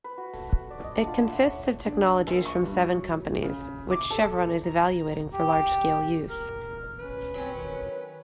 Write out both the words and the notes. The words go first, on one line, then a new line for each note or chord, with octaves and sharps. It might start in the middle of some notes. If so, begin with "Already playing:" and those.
It consists of technologies from seven companies, which Chevron is evaluating for large-scale use.
B4
F#4
A3
F#4
D5
D#5
D4
F4
E5
F#5
C#5
D4
A#1
C#6
G2
F#3
C#3
D6
A4
A#5
G4
A#4
C#4 B4
F#3 C4 C#4
D#3